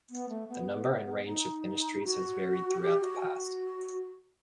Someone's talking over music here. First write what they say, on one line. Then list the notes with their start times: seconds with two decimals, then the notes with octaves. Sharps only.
The number and range of ministries has varied throughout the past.
0.10 B3
0.29 A3
0.48 B3
1.26 D#4
2.03 F#4
2.81 G4
3.00 F#4
3.19 F#4